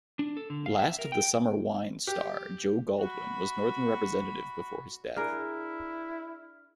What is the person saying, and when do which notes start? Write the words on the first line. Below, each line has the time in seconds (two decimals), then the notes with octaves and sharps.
"Last of the Summer Wine" star Joe Gladwin was Northern representative before his death.
0.19 D4
0.37 A4
0.50 D3
0.66 F5
0.79 E5
0.99 A#4
1.12 G5
2.07 G4
2.99 F#4 B5
5.16 D4 E4 G#4 A#4 F6